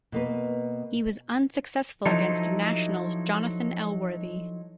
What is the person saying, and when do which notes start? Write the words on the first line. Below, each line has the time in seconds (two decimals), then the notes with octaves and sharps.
He was unsuccessful against National's Jonathan Elworthy.
0.12 B2 A#3 B4
2.05 F3 F#3 D#4 E4 A4